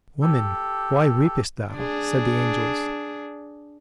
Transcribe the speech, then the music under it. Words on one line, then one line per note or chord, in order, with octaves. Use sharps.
"Woman, why weepest thou?" said the angels.
G4 A4
D4 G#4